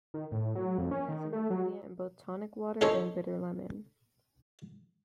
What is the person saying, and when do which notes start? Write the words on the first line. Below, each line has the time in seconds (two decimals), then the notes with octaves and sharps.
Quinine is an ingredient in both tonic water and bitter lemon.
0.14 D#3
0.32 A2
0.55 F#3
0.78 F2
0.91 C#4
1.08 D#3
1.33 A3
1.50 F#3
2.81 C#4 D#4 G#4 A4 C5 C#5